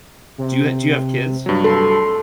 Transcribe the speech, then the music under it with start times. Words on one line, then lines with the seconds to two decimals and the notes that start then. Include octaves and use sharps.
do you do you have kids?
0.38 C3
1.46 G2 F#3
1.64 A4 C6